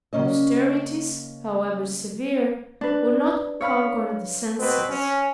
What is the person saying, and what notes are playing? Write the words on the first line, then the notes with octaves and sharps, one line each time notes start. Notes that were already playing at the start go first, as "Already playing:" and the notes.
Austerities, however severe, will not conquer the senses.
C#3 A#3 C#4 D#5
D4 B4
C#5 F5 B5 F6
B2 C4 B4
C#4